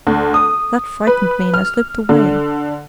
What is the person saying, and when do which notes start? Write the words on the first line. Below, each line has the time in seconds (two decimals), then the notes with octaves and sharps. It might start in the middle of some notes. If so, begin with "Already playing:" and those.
That frightened me, and I slipped away.
0.07 D2
0.34 D#6
1.07 B4
1.54 F6
2.09 D3